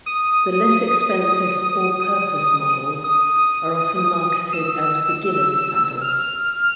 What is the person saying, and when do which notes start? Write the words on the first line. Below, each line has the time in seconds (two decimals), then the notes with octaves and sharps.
The less-expensive "all-purpose" models are often marketed as beginner's saddles.
0.06 D#6
3.04 D#6
4.53 E6
6.01 F6